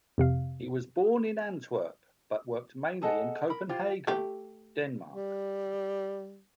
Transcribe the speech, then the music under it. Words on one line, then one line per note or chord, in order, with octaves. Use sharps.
He was born in Antwerp but worked mainly in Copenhagen, Denmark.
F2 C3 F5
G#4 A4 D#5 F#5
A#4 B5
F4 G4 C5 G5
A3 G4
G3